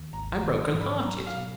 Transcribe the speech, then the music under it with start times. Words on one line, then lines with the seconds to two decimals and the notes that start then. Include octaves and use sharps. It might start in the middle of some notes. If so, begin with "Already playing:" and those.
I am broken-hearted.
Already playing: D#2
0.13 G#1 A#5
0.35 A#5
0.44 D#3
0.58 D#6
0.74 G#2
0.81 B5
1.05 F#3 A#5
1.27 F5
1.34 B2